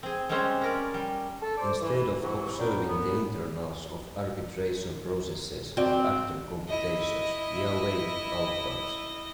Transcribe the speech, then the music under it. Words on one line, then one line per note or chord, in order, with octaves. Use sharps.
Instead of observing the internals of arbitration processes of Actor computations, we await outcomes.
C4 G#4
G3 G#3 C4 C#4 C5 C#5
C#4 A#4 D5
G3
A4
C5 D5 D6
E3
C3 E3 F#3
B3 C#4 D4 A#4 B4 G5
F#2 B3
C4 F#4 D5
E4 D#5